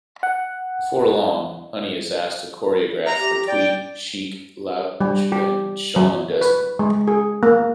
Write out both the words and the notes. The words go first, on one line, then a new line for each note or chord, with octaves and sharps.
Before long, Honey is asked to choreograph for Tweet, Sheek Louch, and Shawn Desman.
F#5
A#5
G4
D5 G5
G3
G4
F#3
B4
G#3
G#4
A#3